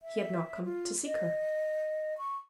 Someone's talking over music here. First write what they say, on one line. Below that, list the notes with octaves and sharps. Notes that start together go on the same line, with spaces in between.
He had not come to seek her.
E5
F4
D#5
C#6